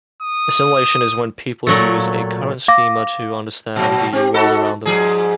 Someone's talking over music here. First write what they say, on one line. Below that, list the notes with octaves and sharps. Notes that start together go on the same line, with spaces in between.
Assimilation is when people use a current schema to understand the world around them.
D#6
A#2 F#3 A3
F5 D6 A#6
A#2 F#3
C4 G4
D#4 F#4 A4
G#2 F3 G#4